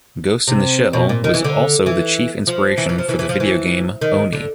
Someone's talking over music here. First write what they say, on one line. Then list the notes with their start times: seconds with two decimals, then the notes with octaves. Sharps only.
"Ghost in the Shell" was also the chief inspiration for the video game "Oni".
0.48 C3
0.93 B2
1.09 A#2
1.24 D#3
1.34 E3
1.44 D3
1.86 E3
2.47 F3
2.78 E3
2.89 E3
2.98 F3
3.09 E3
3.19 E3
3.29 F3
3.40 E3
4.01 D#3
4.33 D3